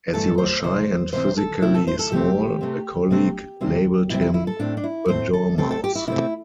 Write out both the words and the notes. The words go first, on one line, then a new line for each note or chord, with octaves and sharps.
As he was shy and physically small, a colleague labelled him 'the door mouse'.
G2 E3 A3 A4
C5
C3 E3 C4 C5
C3 E3 C4 C5
A4
C3 A3 C4 E4
A4
C5
A4
C3 A3 C4 G4
C3 A3 C4
C3 A3 C4
E2 C3 G3 C4
E2 C3 G3 C4 E4
E4
E4
A4
A2 A3 C4 D4
D4
E4
A2 A3 C4 C5
A4
C3 A3 C4 A4
A4
G4
E4
C3 A3 C4 E4